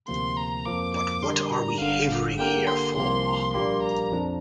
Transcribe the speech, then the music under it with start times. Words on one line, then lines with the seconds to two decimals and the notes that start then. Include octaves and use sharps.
But what are we havering here for?
0.08 D2 C3 F3 A#3 C6
0.37 A#5
0.66 F2 F3 A#3 D6
0.95 D6
1.23 D3 G3 D4 G4 A#4 C6
1.52 A#5
1.81 G1 G2 D3 F5
2.38 D3 A#3 G4 A#4 G5
2.67 C6
2.97 C2 C3 F3 A#3 C6
3.54 A#1 A#2 G3 A#3 G4 C6
3.83 A#5
4.12 F2 F3 D4